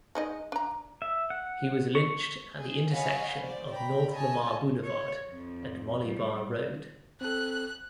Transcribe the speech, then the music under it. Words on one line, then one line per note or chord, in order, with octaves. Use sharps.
He was lynched at the intersection of North Lamar Boulevard and Molly Barr Road.
G#3 D#4 D#5
D4 A#5
E5
F#5
C#6
G#4
C#5 D#5 F5 F#5 G#5 B5
C5 D5
G5 A#5 B5
C#5 D#5 G#5 A5
C#5
F2
G3
C4 A4 F#6